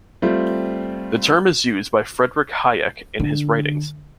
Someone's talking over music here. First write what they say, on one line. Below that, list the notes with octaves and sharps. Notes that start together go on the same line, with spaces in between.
The term is used by Friedrich Hayek in his writings.
G3 A3 C4 F4
D3